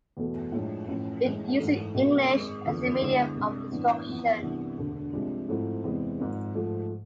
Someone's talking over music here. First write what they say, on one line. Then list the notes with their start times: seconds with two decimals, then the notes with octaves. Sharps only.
It uses English as the medium of instruction.
0.17 E2 B2 A3
0.52 A2 F3 G#3 D4
0.88 A1 A2 F3
1.24 A2 E3 G#3
1.59 G#2 E3 A3
1.94 B1 B2 A3 C4
2.29 G#1 G#2 G#3
2.65 F1 E2 D3 F3 A3
3.00 D2 D3 G#3 B3 E4
3.36 C2 C3 G#3 D4
3.72 A2 E3 B3 D4
4.07 F2 E3 B3
4.42 C2 C3 E3 B3 D4
4.78 E1 D2 D3
5.13 C2 C3 F3 G#3 D4
5.49 G#2 F3 A3 C4 E4
5.84 E2 C3 G#3 C4 E4
6.19 G#1 G#2 F3
6.55 G#2 F3 A3